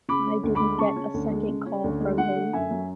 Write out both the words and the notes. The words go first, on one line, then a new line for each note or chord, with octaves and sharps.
I didn't get a second call from him'.
C#3 B5 D6
C#4
D2
B5 D6
G#3
C#3 A5 C#6
C#4
D2
G#3
C#3
C#4
D2
G#3
D3 F#5
A3
F#2 E5 G#5
F#3